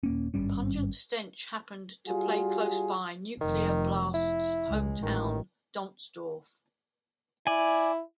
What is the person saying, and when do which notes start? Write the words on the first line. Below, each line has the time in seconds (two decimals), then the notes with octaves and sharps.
Pungent Stench happened to play close by Nuclear Blast's hometown, Donzdorf.
0.03 D#1 A#3 C#4
0.34 G#1 G2 G3 C#4
2.07 G3 F4 F#4 G#4
3.41 F1 D#3
4.14 E4
4.68 C#2 G#3
5.03 A1 D#3
7.47 E4 D5 G#5